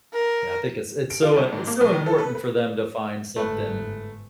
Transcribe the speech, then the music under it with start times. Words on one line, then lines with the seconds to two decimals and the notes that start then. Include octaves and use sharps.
Yeah, I think it's it's so, uh, it's so important for them to find something
0.13 A#4
1.10 D7
1.22 F4
1.36 G1
1.52 G#2
1.67 A#3
1.81 B1
1.93 D#3
2.06 A4
2.18 B4
2.35 B4
3.36 G1 G#2 A3 B4